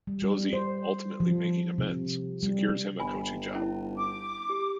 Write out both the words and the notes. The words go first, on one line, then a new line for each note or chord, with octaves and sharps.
Josie, ultimately making amends, secures him a coaching job.
G3
G3
C5
F3
C3
G3
G1 G#5 B5
C#4 E4 A5
D6
G4